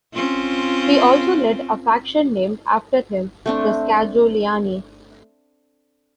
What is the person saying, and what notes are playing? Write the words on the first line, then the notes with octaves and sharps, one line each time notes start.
He also led a faction named after him, the "Scajoliani".
C4 C#4 F4
A3 C4 D4